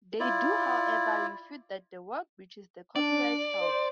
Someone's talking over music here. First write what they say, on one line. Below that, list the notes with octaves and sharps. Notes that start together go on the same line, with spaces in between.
They do, however, refute that the work breaches the copyrights held.
E4 F4 D5
D4 D5
C5